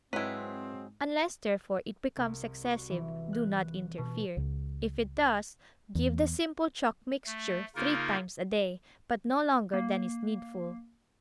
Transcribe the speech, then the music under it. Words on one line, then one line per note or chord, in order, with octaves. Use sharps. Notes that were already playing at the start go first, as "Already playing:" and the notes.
Unless, therefore, it becomes excessive, do not interfere; if it does, give the simple chalk mixture three times a day, but no longer than is needful.
G#2 F#3 G#3 C4 E4 B4
C2
F#4
E3
F#6
B2
C#2
E2
A3
C#3 A#3 D#4 F4 A#4
A#3